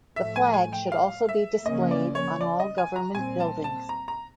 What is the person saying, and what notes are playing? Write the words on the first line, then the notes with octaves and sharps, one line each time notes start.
The flag should also be displayed on all government buildings.
A2 F3 A3 E5
G#5
G#5
G5
F5
E5
C#3 F3 A#3 C#4 D#5
D5
C#5
D5
D#5
G#5
A#5
A#2 G3 C4 G#5
A5
A5
A#5
A#5